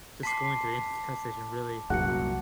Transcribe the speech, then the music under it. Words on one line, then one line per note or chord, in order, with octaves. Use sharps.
just going to any gas station really
A5 C6 D6 B6 C7
C2 F#2 A#2 F#4 F#6 C#7